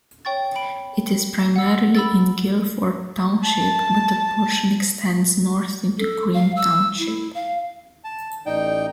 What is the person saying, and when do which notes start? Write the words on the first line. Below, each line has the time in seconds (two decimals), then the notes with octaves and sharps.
It is primarily in Guilford Township, but a portion extends north into Greene Township.
0.25 C#5 G5 C#6 A6
0.56 B5 D7
1.56 F#5 E6
1.95 B5 E6 A6
3.43 A5
5.98 A4
6.34 F5
6.56 E6
6.98 E4
7.34 F5
8.04 A5
8.46 A1 D#4 D5 G5